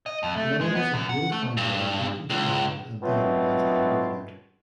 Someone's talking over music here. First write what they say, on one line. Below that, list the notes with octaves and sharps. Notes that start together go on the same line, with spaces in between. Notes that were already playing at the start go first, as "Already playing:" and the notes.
Layers of wool fibre are beaten together and then brightly embroidered.
D#5
F2
A3
G#3
B3
F#2
F#5
A3
G2
C#2
B2 D#3 F#3 A3 C4 F4